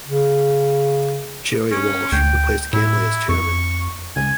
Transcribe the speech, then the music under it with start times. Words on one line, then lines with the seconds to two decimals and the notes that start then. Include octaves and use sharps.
Gerry Walsh replaced Gantly as chairman.
0.07 C#3
1.71 C#4
2.12 D2 G5
2.73 A2 E4
3.29 F2 C#6
4.16 C#2 G#5